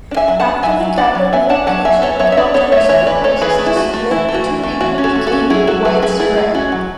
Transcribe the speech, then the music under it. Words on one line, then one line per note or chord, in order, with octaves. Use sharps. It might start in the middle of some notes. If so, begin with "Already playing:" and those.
After the capital relocation controversy proposals to split the two regions became widespread.
D4
E5 G#5
F#3
F#5 A5
D4
F#3 E5 G#5
F#3
D4 D5 F#5
F#3
B3 E5 G#5
D4 F#5 A5
F#3 F#5 A5
F#3 E5 G#5
B3 A4 C#5
F#3 C#5 E5
E5
D4 B4 D5
B3 A4 C#5
A3 C#5 E5
E3 C#5 E5
E3 B4 D5
A3 A4 C#5
E3 G#4 B4
A3
E4
A3 F#4
A3
E3 E4
A3
F#4
E3
A3
E3 F#4
C#4
F#4 A4
A3
F#4 A4
C#4
F#3 E4 G#4
F#3 F#4 A4
F#3 G#4 B4
F#3 G#4 B4
A3 E4 G#4
A3
C#4 F#4
F#3